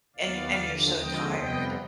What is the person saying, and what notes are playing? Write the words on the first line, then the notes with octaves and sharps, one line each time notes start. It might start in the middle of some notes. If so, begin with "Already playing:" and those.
and and you're so tired,
D#2 D#3 B3 D5 F5
D#2 D3 F3
D#2 D3 F3 G#3 C4 D#5 G5
F2 C3 G3 B3 D#5 G5